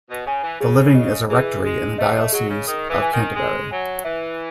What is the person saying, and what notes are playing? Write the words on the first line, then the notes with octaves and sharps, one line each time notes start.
The living is a rectory in the diocese of Canterbury.
B2
C#3 G#5
E3
C#3 G#4
D#5
E3 G#4
G#3 G#4
A3 D#5
A3
F#3 G#4
C#3
D#3 D#6
E3
G#5
D#3
G#3 G#5
F#3 G#5
E3 E5